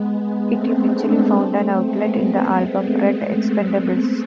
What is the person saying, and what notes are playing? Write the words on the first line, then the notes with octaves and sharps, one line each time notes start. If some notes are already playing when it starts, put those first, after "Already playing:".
It eventually found an outlet in the album "Red Expendables".
Already playing: G#3 B3
A3 C4
B3 D4
A3 C4
G#3 B3